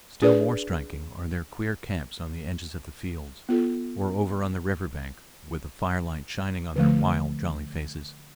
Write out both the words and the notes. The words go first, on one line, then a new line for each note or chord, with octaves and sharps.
Still more striking are their queer camps on the edges of the fields or over on the river bank, with the firelight shining on their wild jolly faces.
D4 G#4 B4 D5
B3 F4 A4
D3 F3 A3